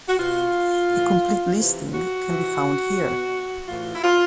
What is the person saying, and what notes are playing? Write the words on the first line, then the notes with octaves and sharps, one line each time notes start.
A complete listing can be found here.
F#4
B2 F4
A2 E3
C3 E3
F#4
C3 E3
B2
A2 E3 F4
E4
F4